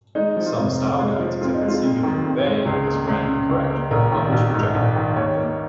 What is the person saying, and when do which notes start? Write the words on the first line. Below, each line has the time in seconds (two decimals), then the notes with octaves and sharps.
Some style guides accept singular "they" as grammatically correct, while others reject it.
0.15 G#3 D#4
0.37 F3
0.46 F4
0.57 F1
0.77 F2
0.99 G#3
1.19 F3
1.41 F2 F4
1.54 D#4
1.62 G#3
1.68 F4
1.83 F2
2.03 D#3
2.24 F2
2.46 G#3
2.65 C#2 G#4
2.87 A#3
3.08 C#2
3.28 C#3
3.50 C#2
3.70 A#3
3.91 A#1 A#4
4.12 D#3
4.32 A#1
4.54 G#2
4.74 A#1
4.95 D#3
5.16 D#2 C#5
5.37 A#3